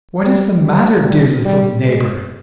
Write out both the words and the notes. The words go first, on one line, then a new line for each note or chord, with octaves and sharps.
"What is the matter, dear little neighbor?"
G3
G3
G3
G3
G#3